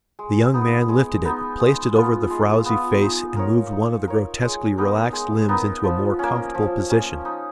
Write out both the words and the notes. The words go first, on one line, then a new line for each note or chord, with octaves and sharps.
The young man lifted it, placed it over the frowsy face and moved one of the grotesquely relaxed limbs into a more comfortable position.
G#3
B3 D#4
G#3
B3 D#4
G#3
B3 F4
G#3
B3 F4
D#4
A#4 C#5
D#4
A#4 C#5
G#3
B3 D#4 A#4
G#3
B3 D#4 A#4
F3
A#3 C#4
F3
A#3 C#4
D#4